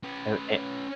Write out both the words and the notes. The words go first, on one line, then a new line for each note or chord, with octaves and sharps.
Er, it
C#4 B4